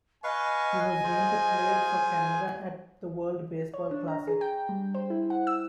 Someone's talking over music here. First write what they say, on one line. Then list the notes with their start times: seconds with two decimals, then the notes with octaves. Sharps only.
He was named to play for Canada at the World Baseball Classic.
0.24 B4 D#5 F5 G#5 C#6
1.04 F4 G#4 C5
3.74 C#5
3.91 D4
4.08 A#5
4.27 G#4
4.41 G5
4.69 G3
4.95 C5
5.10 E4
5.30 F#5
5.47 E6